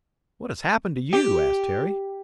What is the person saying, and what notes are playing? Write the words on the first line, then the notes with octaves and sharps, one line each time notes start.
"What has happened to you?" asked Harry.
G4